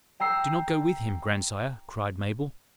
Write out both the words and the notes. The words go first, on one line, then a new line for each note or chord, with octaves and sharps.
"Do not go with him, grandsire," cried Mabel.
G5 A#5 E6 C7